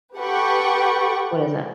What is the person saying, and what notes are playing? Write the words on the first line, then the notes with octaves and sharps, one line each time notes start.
What is it?
G4 A4 B4 F#5 G5 C#6